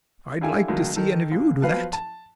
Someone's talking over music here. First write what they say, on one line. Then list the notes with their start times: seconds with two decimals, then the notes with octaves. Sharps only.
I'd like to see any of you do that!
0.41 D4 E4 F4 G4 A4 G#5
0.68 C#2 D#3 F#3 A3
0.96 D#3 A4
1.32 C#2
1.62 F3 F#3 B3 B4 F5
1.93 A5